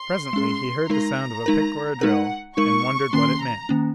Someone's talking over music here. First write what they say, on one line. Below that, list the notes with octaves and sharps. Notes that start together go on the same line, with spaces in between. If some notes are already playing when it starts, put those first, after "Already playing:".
Presently he heard the sound of a pick or a drill, and wondered, what it meant.
Already playing: C6
G#3 C#4 G#4
G#3 D#4 A#4 A#5
G#3 D#4 A#4
G#3 D#4 A#4 F#5
G#3 D#4 A#4 C#6
D#3 A#3 C#4 C6
A#5
D#3 A#3 C#4